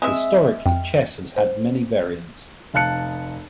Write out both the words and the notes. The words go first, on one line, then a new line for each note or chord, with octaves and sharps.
Historically chess has had many variants.
G#3 C4 E5
F2 G5
C5
F1 F5 A5 F#6 C#7